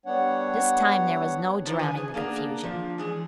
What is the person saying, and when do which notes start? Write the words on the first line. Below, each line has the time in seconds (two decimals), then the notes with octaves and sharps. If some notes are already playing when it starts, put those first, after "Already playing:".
This time there was no drowning the confusion.
0.06 G3 B3 D4 C#5 F#5
1.65 D#3 F3 D4 C5
1.79 B4 G#5
1.97 G#4
2.14 A#3 B3 D4 G#4 A#4
2.63 F3 D4
2.98 E3 G#3 G#4